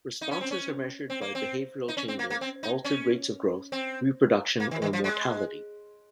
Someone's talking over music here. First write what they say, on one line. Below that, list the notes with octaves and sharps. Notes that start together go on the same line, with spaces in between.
Responses are measured by behavioural changes, altered rates of growth, reproduction or mortality.
D#4
C#4
C4
C#4
C4
A#3
C4
D#4
C#4
C4
A#3
A#3
C4
D#4
C#4
C4
A#3
D#3
D#3
F3
G#3